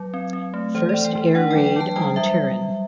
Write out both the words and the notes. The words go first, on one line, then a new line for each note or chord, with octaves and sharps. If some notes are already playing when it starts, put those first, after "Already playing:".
First air raid on Turin.
Already playing: F#3
C4
C4
A3
E3 C5
D5
E3
G5
E3
D4 F#5
G5
F#3
G5
F#3 A5
G3 G5
G3 E5